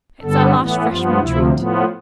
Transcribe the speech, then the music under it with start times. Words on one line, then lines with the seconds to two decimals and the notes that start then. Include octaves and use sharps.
It's our last freshman treat.
0.22 G2 D3 G3 B3 A4
0.55 A2 E3 B3
0.86 G2 F3 B3 F4
1.19 D2 C3 F3 E4
1.51 A2 F3 B3